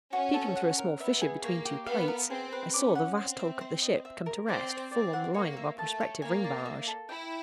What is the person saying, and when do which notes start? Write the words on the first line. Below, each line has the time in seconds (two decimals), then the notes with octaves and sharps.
Peeping through a small fissure between two plates, I saw the vast hulk of the ship come to rest full on the line of our prospective ring barrage.
0.13 C#4 F#4
0.34 A4
0.56 F#5
0.78 A#4
0.99 B3 E5
1.21 G#4
1.43 A#3 C#5
1.65 G4
1.87 B3 F5
2.08 A#4
2.30 C4 G#4
2.53 B4
2.74 C#4 D6
2.95 F#5
3.17 C4 C6
3.39 E5
3.61 C5
3.82 D#5
4.05 E5
4.26 A#4
4.48 C4 D5
4.69 G5
4.91 C4 D5
5.13 F#5
5.34 A#3 C#5
5.57 E5
5.78 A3 A5
6.00 C#5
6.22 A#3 G#5
6.44 D5
6.66 E5
6.87 A4
7.09 E4 G5